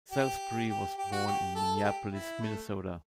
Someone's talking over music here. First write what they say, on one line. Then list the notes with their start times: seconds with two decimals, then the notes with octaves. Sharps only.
Salisbury was born in Minneapolis, Minnesota.
0.12 G4
0.69 G4
0.98 G4
1.12 F#4
1.27 G4
1.55 A4
1.76 A4
1.84 G4
2.12 E4
2.41 A3